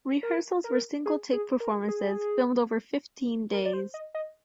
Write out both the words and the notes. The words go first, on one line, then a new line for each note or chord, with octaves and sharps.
Rehearsals were single-take performances, filmed over fifteen days.
A#4
A#4
G#4
G#4
A#4
G#4
A#4
D5
C5
D#5
D#5